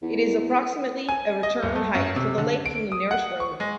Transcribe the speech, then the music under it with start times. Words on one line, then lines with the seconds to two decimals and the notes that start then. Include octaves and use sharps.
It is approximately a return hike to the lake from the nearest road.
0.02 E2
1.09 G#5
1.43 D#5
1.62 D#1
1.75 A3
1.95 F#2
2.16 C3
2.38 D3
2.66 D7
2.92 D#6
3.11 F#5
3.40 C#6
3.60 G#3